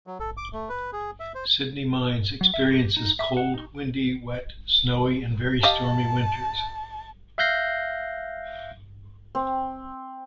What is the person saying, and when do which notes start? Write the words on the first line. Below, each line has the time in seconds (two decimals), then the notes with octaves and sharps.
Sydney Mines experiences cold, windy, wet, snowy and very stormy winters.
0.07 F#3
0.20 A4
0.37 D6
0.53 A3
0.69 B4
0.93 G#4
1.20 E5
1.35 C5
2.41 F#3
2.54 E5
2.68 G4
2.97 D#4
3.19 E5
3.37 F#5
3.54 D#4
5.63 G4 D#5 F5 A5
7.38 E5 F5 F#6 G6 A#6 C7
9.35 C4